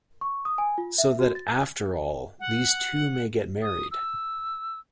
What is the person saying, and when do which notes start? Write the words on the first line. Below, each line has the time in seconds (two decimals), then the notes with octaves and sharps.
So that after all these two may get married.
0.21 C#6
0.45 D#6
0.58 G#5
0.78 F4
0.98 E5
1.19 F#4
1.35 A6
2.40 F#5
3.62 D#6
3.91 E6